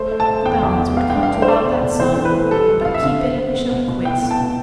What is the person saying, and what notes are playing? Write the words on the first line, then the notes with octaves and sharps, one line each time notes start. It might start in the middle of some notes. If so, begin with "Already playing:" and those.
"The balance would come to about that sum; but keep it, and we shall be quits."
Already playing: A3 C5
A3
A5
A3
E2 G5
E2
E2
B3 F5
D4 G5
F5
D4
C5
A3 D5
E2
B2
E3 C5
E3
B4
A3
G3 A4
F2
F2 F5
E5
D3 F5
C4
C4
B3
B2
B2
E4 G5
B3
A5
B2